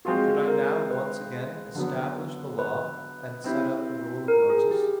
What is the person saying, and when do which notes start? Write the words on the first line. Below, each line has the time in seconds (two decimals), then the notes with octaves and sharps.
Should I now once again establish the Law, and set up the rule of Moses?
0.05 G#3 C4 F4 F#4
0.47 A#4
0.91 B4
1.75 D3 F#3 B3
2.59 B4
3.44 C4 E4 G4
4.28 A#4
4.50 G#4
4.71 G4